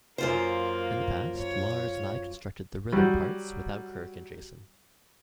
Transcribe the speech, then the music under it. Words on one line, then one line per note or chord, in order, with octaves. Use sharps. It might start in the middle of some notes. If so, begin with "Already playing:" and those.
In the past, Lars and I constructed the rhythm parts without Kirk and Jason.
F#2 A#3 F4 C5
C#5
F#3 G3